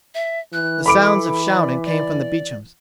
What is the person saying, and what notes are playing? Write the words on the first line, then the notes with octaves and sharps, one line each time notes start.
The sounds of shouting came from the Beecham's.
E5
E3 F#6
A4 B5 D6 D7
D5
D5